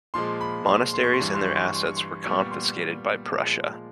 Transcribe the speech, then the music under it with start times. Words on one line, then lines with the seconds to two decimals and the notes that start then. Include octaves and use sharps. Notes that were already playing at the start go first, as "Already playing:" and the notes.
Monasteries and their assets were confiscated by Prussia.
0.14 A#2 F3 G#3 C6
0.41 B5
0.66 C6
0.94 C6
1.04 C#6
1.13 C6
1.20 G2 E3 G3 C#6
1.35 C6
1.45 C#6
1.56 C6
1.65 C#6
1.75 C6
1.85 C#6
1.96 C6
2.24 A#2 G3 B3 C#6
2.37 C#6
2.51 C6
3.29 A#2 F3 G#3